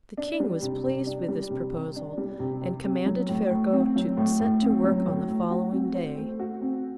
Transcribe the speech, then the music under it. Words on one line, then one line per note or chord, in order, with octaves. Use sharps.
The King was pleased with this proposal, and commanded Ferko to set to work on the following day.
D4
G3
C3
C3
D4
G3
C3
C3
D4
G3
C3
C3
C4
F#3
A2
A2
C4
F#3
A2
A2
C4
F#3
A2
A2
F#4
C4
C5
A3
F#4
C4